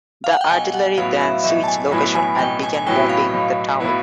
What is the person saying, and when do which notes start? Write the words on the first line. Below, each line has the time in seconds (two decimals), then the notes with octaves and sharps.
The artillery then switched location and began bombing the town.
0.24 F5
0.33 F#5
0.41 G5
0.49 B1 G#5
0.73 F#5
0.97 A2 F#3 B3 E4 F5
1.21 E5
1.44 B1 E5
1.64 A5
1.68 G#5
1.91 A2 F#3 B3 E4 G#5
2.15 G#5
2.39 B1 G5
2.63 G#5
2.74 G#5
2.86 A2 F#3 B3 E4 G5
3.09 F5
3.33 B1
3.80 A2 F#3 B3 E4